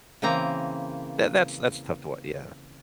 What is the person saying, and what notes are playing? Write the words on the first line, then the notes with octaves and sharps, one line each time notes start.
That that's that's tough to wa yeah.
C#3 E3 A#3 C4 A#5